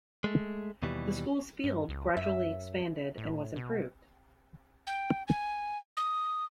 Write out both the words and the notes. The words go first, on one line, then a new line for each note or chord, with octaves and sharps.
The school's field gradually expanded and was improved.
G#3 A3
D#2 B2 E3 G3
G2
C#2
F#2 E5
A2
B2
G5
G#5
D#6